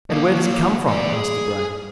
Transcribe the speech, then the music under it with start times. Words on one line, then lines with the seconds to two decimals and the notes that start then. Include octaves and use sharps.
"And where does he come from?" asked Debray.
0.10 F3 A#3
0.87 E3 D5
1.13 G#4